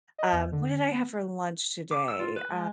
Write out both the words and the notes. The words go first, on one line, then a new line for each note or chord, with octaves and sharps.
um, what did I have for lunch today? Uh,
D#5
E2
D3
B3
D6
E6
F4
B4
G#3